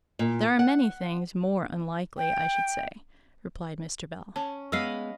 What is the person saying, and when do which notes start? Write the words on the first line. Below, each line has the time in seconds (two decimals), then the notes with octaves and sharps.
'There are many things more unlikely, I should say,' replied Mr. Bell.
0.19 A#2
0.59 F#5
2.18 G5
4.36 C#4 A5
4.72 G#3 B3 D#5 F5 B5 E6 F6 C7